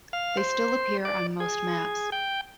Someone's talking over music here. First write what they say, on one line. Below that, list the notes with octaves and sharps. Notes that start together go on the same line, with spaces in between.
They still appear on most maps.
F5
C5
D5
G#4
G5